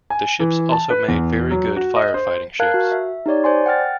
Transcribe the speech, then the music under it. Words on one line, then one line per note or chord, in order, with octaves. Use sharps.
The ships also made very good fire fighting ships.
G#5
E3
A5
B4
E2
F#3
F#4
D#5
C5
A#4 F5 A5 F#6 G#6
F#4
E5
D#4 G4 C#5 D5
C5 D5 G#5 C6
F#5 G5 F6 A6